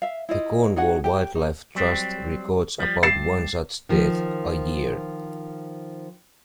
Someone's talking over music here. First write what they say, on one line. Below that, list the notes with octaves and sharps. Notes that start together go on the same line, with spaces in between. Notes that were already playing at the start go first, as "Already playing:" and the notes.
The Cornwall Wildlife Trust records about one such death a year.
E5 F5
E4 F4 D#5
D#4 F#4 G#4 F#5
G4 G5
D#4
F#3 G3 C4
F3 G3
G2 A6 C7 E7
D#3 F3